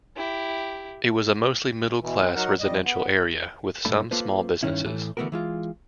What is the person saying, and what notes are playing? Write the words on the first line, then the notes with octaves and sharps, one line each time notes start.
It was a mostly middle-class residential area, with some small businesses.
E4 G4
B2 E3
C4
F#3 D#4 A#4 F#5
F2 G3 D#5
B3
G2 A#2 A3 D4 B5
A#3 F4 A4 B4 C5
G2 D#3 C#4 E4
A2 E3 A3
D3 E3 A3 B3 F#4 A#4
E3 G#3 F4